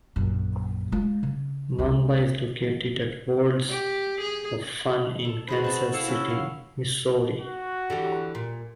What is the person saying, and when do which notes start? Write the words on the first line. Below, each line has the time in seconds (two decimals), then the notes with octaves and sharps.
Mamba is located at Worlds of Fun in Kansas City, Missouri.
0.16 A#1 F#2
0.92 G#3 F4
1.23 C#3
1.78 C#2 D3
3.70 G4
4.21 G#4
5.25 A4
5.48 F#4 G#4 B4 C5
5.64 C4 A5
5.93 E4 A4 F5 A5
6.08 C#4 F#4
6.30 E5 F5
7.41 F#4
7.90 D3 E3 G4
8.35 A#2